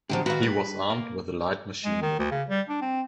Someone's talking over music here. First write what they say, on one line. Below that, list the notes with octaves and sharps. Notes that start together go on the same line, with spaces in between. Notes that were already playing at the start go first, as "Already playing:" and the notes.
He was armed with a light machine-gun.
B2 D3 F3 F#3 G4
D#3 F#4 B4 F5 A#5
G2 B4
A#3
G#3
D#3
D2
C#3
G3
D4
C4